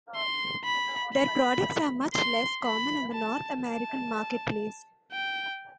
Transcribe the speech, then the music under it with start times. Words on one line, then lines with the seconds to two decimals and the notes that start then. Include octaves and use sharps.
Their products are much less common in the North American marketplace.
0.15 C6
0.64 B5
1.14 B5
2.13 C6
2.63 B5
3.13 A5
3.62 A5
5.12 G5